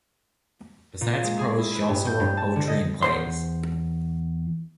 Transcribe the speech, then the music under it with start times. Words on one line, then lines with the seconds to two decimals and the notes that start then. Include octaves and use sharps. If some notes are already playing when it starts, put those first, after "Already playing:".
Besides prose she also wrote poetry and plays.
1.01 A#2
1.24 G#3
1.39 G#4
1.58 E4
1.75 B4
1.89 G2
2.07 G6
2.20 G2
2.37 A5
2.56 D3
2.68 D#5
3.02 E2 C5 C6